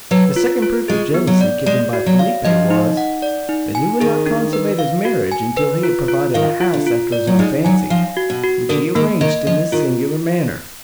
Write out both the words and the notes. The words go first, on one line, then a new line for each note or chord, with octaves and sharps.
The second proof of jealousy given by Felipe was, that he would not consummate his marriage until he had provided a house after his own fancy, which he arranged in this singular manner.
F#3 B4
F4
F4
G#3 G#4
B3
F#3
D5
G#3 D5
F#4
F#3
F5
F3 D#5
D#4
F#5
D5
D#4
G#5
D#3 G#4
D4
B4
F5
F#4
G#5
B4
F4
F4
D#3 F5
F4
D3
F4
D5
F#3
G#3 D#4
F#3 G#5
F3 F5
F#4
B2
F#4
D3 A#4
D#3 A#3
D#3 D#5
F3 D#5
D#3 F4